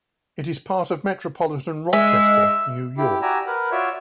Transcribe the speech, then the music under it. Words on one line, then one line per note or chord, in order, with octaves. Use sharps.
It is part of metropolitan Rochester, New York.
G#3 E5
E4 G4
F#4 G4 D5 G#5 A#5 E6
A#4 B4 F#5
F4 F#4 C#5 D5 E5